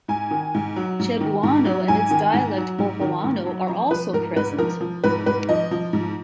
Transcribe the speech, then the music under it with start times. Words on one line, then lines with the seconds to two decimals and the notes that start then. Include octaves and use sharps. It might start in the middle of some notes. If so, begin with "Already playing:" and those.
Cebuano and its dialect Boholano are also present.
0.08 G#2 G#5
0.31 D#3
0.54 G#2
0.76 F#3
0.99 G#2
1.21 D#3
1.43 G#2
1.66 F#3
1.88 G#2 G#5
2.11 D#3
2.33 G#2
2.57 F#3
2.78 G#2
3.01 D#3
3.24 G#2
3.46 F#3
3.68 F3 A#5
3.91 F3 B4
4.13 G#2 A#4
4.36 G#2 B4
4.58 F3 A#4
4.81 F3
5.04 G#2 B4
5.26 G#2 B4
5.49 F3 D#5
5.71 F3
5.93 G#2